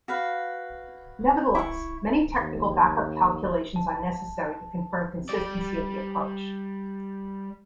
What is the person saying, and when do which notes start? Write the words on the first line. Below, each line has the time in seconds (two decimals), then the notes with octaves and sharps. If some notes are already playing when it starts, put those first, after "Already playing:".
Nevertheless, many technical back up calculations are necessary to confirm consistency of the approach.
0.08 F#4 B4 F5
1.55 E4 C#6
2.39 D#2
3.76 A5
5.29 G3 D5